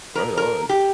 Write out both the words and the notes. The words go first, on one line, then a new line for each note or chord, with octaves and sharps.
Right on.
A#4
A#4
G4